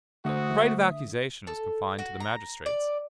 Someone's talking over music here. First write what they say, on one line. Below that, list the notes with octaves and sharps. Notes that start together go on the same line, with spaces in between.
The right of accusation was confined to the magistrates.
D3 A3 F#4 C5 E5 D#6
A4
F#4
A#5
D5